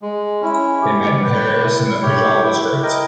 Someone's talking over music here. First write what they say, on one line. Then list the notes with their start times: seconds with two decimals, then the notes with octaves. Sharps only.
They meet in Paris, in the Pigalle district.
0.02 G#3
0.41 C#4 E4
0.81 G4
1.22 B4 G5
1.63 E4
2.03 G4 C#5 G5
2.42 E4
2.83 A#4 D#5 G5